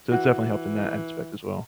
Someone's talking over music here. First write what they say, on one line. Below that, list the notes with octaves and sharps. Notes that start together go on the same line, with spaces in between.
So it's definitely helped in that aspect as well.
E3 F#4